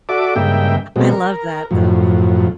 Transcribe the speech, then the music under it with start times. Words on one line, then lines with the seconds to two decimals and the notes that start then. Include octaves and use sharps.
I love that though,
0.09 F#4 A4 D5 E5 D6
0.36 G2 C#3 G#3 A#3 E5 G5
0.96 B2 F#3 G#3 A3 C4
1.11 A#4
1.71 F#2 A2 F3